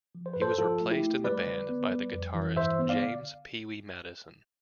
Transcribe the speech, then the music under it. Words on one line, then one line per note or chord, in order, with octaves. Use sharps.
He was replaced in the band by the guitarist James "Pee Wee" Madison.
F3
C5
G2 B4
A4 C5
F3 F4 A4
A3
E4 G4
A3
G3 B4 D5
D3
B3
G3
F2
E3
G2 C5 E5
B3
D5 F5
D3